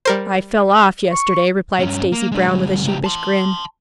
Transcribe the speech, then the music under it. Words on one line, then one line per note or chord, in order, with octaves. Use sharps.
"I fell off yesterday," replied Stacy Brown with a sheepish grin.
G3 A#4 C5
C#6
G2 C#4
A#3
G#3 D4
D2 G3
C#2 G4
A5 C6